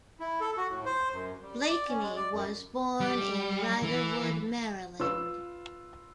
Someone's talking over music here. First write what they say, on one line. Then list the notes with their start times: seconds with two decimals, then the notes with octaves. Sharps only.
Blakeney was born in Riderwood, Maryland.
0.20 E4
0.41 A4
0.57 F#4
0.69 A2
0.85 C5
1.12 F#2
1.42 G3
1.68 D5
1.88 C#4
2.02 G#3
2.16 D5
2.32 F#2
3.00 G3
3.82 E3
5.00 F4 B4 E6